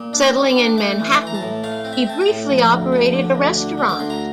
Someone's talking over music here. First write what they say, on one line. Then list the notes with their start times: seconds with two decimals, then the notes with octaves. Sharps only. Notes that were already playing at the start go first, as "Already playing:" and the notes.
Settling in Manhattan, he briefly operated a restaurant.
Already playing: A#2
0.13 D4 D6
0.20 C6
0.35 G3
0.49 D6
0.56 D4
0.78 A3 D6
1.00 E3
1.07 C6
1.21 E3
1.27 A#5
1.35 A5
1.42 A2
1.64 A3 F5
1.85 C4
1.93 E5
2.06 C4 A5
2.21 G5
2.28 A2
2.49 F3
2.71 D2
2.92 F3
3.13 D3
3.35 D2
3.57 D3
3.78 D3
3.89 D6
3.99 D2 C6
4.10 A#5